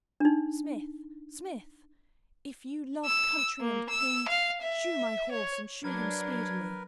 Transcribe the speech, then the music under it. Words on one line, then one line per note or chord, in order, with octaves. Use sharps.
"Smith, smith, if you love country and king, shoe my horse, and shoe him speedily."
D4 D#4
E6
A#3
E6
F5
E5
C#5
F#3 D4 A#4 B4 G#6